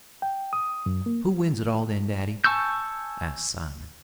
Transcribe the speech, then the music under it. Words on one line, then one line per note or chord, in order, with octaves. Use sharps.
"Who wins it all, then, daddy?" asked Simon.
G5
D#6
F#2
A#3
G#5 A5 C#6 E6 G6